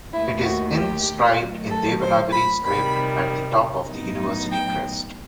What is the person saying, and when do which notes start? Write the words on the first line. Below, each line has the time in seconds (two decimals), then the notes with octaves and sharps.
It is inscribed in Devanagari script at the top of the university crest.
0.12 D#2 D#3 A3 E4
0.44 F#4
0.75 G4
1.38 D#3 F#3 A3
1.69 A4
2.01 C5
2.32 B5
2.63 C3 D#3 G3 B5
3.88 A2 F#3 B3 D#4
4.51 G5